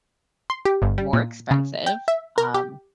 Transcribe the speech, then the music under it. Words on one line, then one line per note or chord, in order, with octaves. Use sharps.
more expensive, um
C6
G4
G1
G3
A#2
C#3
G5
E5
A#4
G4